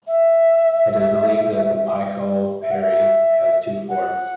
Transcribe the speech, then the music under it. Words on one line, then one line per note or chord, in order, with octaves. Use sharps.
It is believed that the Pichal Peri has two forms.
E5
E5
F#5
E5
F#5